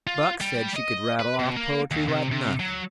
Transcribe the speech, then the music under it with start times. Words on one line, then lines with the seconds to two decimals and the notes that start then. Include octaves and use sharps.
Buck said she could rattle off poetry like nothing.
0.07 F4
0.41 G3
0.76 D#5
1.20 B4
1.40 B2
1.57 A#3
1.91 D#2
2.09 C3
2.32 C3
2.60 F#3